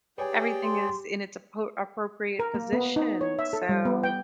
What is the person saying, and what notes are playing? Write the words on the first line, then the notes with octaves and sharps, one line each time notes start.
everything is in its apo appropriate position," so,
G4 G#4 B4 C#5 D5 G5 G#5
C6
A#4
A#3
B3
D#4
C#5
E5
A4
G3
B3
G5